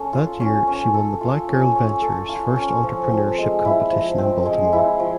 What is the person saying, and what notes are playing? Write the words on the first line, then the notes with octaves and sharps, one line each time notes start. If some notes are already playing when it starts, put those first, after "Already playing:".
That year she won the Black Girl Ventures first entrepreneurship competition in Baltimore.
Already playing: C#4 A4
F4
C#4
C#4
A4
F4
C#4
C#4
A4
F4
C#4
F3
C4
G#3
E4
F3
C4
G#3
E4
F3